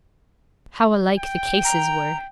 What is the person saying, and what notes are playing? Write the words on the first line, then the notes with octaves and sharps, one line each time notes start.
How alike the cases were!
G5
A#5